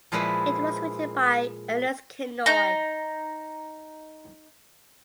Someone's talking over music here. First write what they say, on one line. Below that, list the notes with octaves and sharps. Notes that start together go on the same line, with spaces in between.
It was written by Ernest Kinoy.
A#2 F3 G#3 E4 B4 B5
D#4 A#5